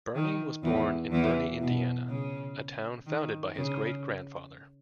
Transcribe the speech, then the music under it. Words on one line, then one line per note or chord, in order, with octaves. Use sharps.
Burney was born in Burney, Indiana, a town founded by his great-grandfather.
D#3
E2 E3
E2 E3
B2
C#3
D#3
C#3